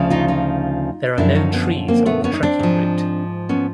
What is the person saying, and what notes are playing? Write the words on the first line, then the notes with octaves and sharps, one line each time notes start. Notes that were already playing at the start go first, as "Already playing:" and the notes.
There are no trees on the trekking route.
Already playing: D2 C#3 F3
D#4 F4
D#4 F4
F#2 D3 F3 D4 E4
C#4 D#4
B3 C#4
A#3 C4
A3 B3
B3 C#4
D#4
C4 D4
G#2 F3
B3 C#4